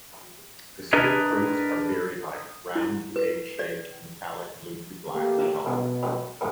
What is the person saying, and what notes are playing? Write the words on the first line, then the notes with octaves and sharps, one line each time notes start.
The smooth fruits are berry-like, round to egg-shaped, metallic blue to black in color.
D4 G#4 A#4 B4 D#5
E4
B4
D5
A3 A#3 G4
B2